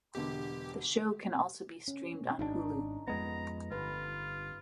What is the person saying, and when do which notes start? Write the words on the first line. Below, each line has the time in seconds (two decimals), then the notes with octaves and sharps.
The show can also be streamed on Hulu.
0.15 E1 B2 D3 G4
1.88 C#4
2.39 G#1 B2 D4 D#4
3.08 F2 G#3 B3 A#5
3.72 G1 F4 B4